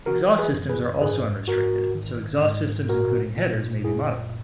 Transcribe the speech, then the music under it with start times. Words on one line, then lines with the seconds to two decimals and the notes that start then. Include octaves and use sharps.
Exhaust systems are also unrestricted, so exhaust systems including headers may be modified.
0.06 E3 F#4 A#4
0.38 G#4 B4
0.53 F#2
0.69 G#4 B4
1.01 G#2 G#4 B4
1.48 G#2 F#4 A#4
1.95 D#3
2.42 G#2
2.89 A#2 F#4 A#4
3.36 A#2
3.84 F#2 E4 G#4